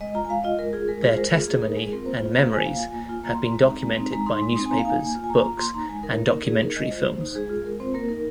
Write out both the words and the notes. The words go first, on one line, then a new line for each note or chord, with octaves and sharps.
Their testimony and memories have been documented by newspapers, books, and documentary films.
G#3 D#5
F4 A#5
G#5
G#3 F5
F4 D#5
G#3 A#4
F4 G#4
G#3 A#4
F4 G#4
C5
G#3 A#4
F4 G#4
A#3 G#4
D#4 A#4
G#3 G#4
C4 F4 A#4
A#3 C5
F4
A#3
F4 G#5
A#3 F5
F4 G#5
A#3
F4
A#3 A#5
F4 C6
A#5
G#3
C4 D#4
G#3
C4 D#4
G#3 A#5
D#4 C6
G#3
C4 D#4
G#5
A#3 A#5
F5
D#4 G#5
A#3
F4
G#5
A#3 A#5
F4 A#5
A#3 C6
D#4 A#5
G#3 G#5
D#4 A#4
A#3
D#4
A#3 G#4
D#4 A#4
G#3 D#5
F4 C5
A#3
D#4
G#3 G#4
F4
G#3 A#4
C4 F4 C5
A#3 A#4
D#4 A#4